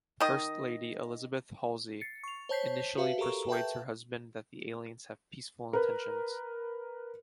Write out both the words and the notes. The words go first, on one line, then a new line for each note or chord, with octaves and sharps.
First Lady Elizabeth Halsey initially persuades her husband that the aliens have peaceful intentions.
D#3 D#5
A6 C7 C#7
C#6 F7
C5 C#5 A5 G6 B6 C7
F#4 B4 E5 F5
G4 A4 A#4 A#5 C#6
B4 E5 G5 A5 G6
A#4 B4